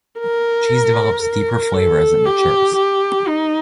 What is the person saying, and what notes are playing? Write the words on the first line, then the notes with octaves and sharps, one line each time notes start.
The cheese develops deeper flavours as it matures.
A#4
A#4
A4
G4
G4
D#4